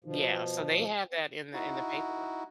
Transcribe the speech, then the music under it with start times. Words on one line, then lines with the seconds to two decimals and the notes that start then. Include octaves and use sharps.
Yeah, so they have that in the in the paperwork.
0.05 B2 F3
1.54 D#4 E4 F#4